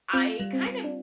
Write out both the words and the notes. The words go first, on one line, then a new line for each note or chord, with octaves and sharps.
I kind of
C4 F4
G3
C4
C4
D4